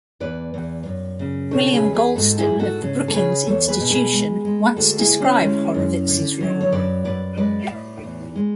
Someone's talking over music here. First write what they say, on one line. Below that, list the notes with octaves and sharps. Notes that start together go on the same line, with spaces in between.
William Galston of the Brookings Institution once described Horowitz's role.
E2 B4 D5
E2
F#2
C#3
B2 A4 C#5
G#4 B4
E2
G#4 B4
G#2 F#4 A4
E4 G#4
G#2
F#4 A4
C#3
A4
C#3 G#4 B4
E2 A4 C#5
G#4 B4
B2
G#4 B4
G#3
G#3
D2 F#4 A4
E4 G#4
D2
C#4 E4
G#3
F#2
D3
F#3
C#5
F#2 B4 D5
F#2 B4 D5
G#3 B4 D5
A2
E2
G#3